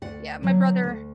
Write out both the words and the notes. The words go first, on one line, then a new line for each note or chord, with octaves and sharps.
Yeah, my brother
D2 D5 F#5
D3 F#3
D2